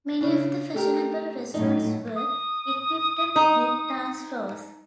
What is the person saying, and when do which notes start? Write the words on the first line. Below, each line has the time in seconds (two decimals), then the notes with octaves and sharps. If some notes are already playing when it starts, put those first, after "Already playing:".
Many of the fashionable restaurants were equipped with dance floors.
0.21 C#3 C#4 D4
0.74 A3 G4 A#4
1.54 A2 F#3 D#4
2.16 D#6
3.36 D#4